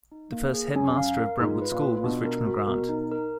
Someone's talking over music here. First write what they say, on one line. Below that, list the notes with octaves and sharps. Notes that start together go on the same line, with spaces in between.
The first Headmaster of Brentwood School was Richman Grant.
D#4
A#3
G#4
F#2 G#5
F5
A#4
G#2 F4
B4
A#2
F4
B2 D4
A#4
F#4
B2 A#4
D#4
A#4